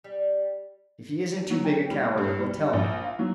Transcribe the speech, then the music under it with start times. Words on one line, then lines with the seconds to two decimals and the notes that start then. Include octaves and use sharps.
If he isn't too big a coward, he'll tell me.
0.04 G3
1.50 F#3
1.64 G5
1.90 G3
2.18 G2
2.39 G3
2.73 A#1
3.04 F5
3.19 F#3